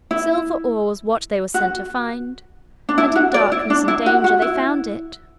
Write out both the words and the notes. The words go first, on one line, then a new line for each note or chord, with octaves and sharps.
Silver ore was what they were sent to find, and in darkness and danger they found it.
E4
F#4
D4
E4
F#4
D5
E4
D4
E4
F#4
F#4
E4